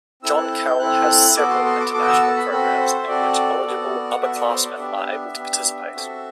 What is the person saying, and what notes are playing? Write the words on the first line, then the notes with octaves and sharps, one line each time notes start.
John Carroll has several international programs in which eligible upperclassman are able to participate.
C4 E4 A4 E6
F#6
G6
G6
C4 E4 A4 F#6
B3 F#4 A4 D6
C6
C6
D6
B3 F#4 A4 D6
E6
A5
B5
C4 F#4 A4 B5
C5
E5
C4 F#4 A4 D5
B3 F#4 A4
F#5
B3 F#4 A4 E5
D5
C5
D5
B3 D4 G4 E5
B3 D4 G4
C4 F#4 A4